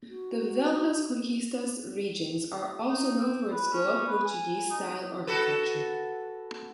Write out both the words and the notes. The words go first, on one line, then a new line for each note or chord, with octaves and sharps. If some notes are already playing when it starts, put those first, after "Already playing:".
The Velhas Conquistas regions are also known for its Goa-Portuguese style architecture.
F#4
D#4
C4
B4
C#4
B4
G#5
D#4
F#4 A4 B4